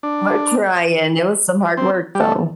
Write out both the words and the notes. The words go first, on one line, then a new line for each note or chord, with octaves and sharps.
We're trying. It was some hard work, though.
D4
C4
G3
A3